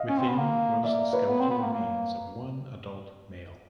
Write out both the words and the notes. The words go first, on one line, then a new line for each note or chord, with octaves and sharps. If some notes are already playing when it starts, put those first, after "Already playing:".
Within was the skeletal remains of one adult male.
Already playing: D#5 F5
C#4
C4
B3
A#3
A#3 D5 E5
B4 C#5
B3
C4
B3
A#3
A#3